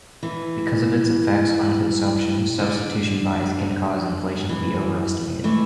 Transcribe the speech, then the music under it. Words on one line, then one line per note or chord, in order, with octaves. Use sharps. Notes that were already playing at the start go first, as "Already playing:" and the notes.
Because of its effect on consumption, substitution bias can cause inflation to be over-estimated.
E3
D3
E3
E3 A3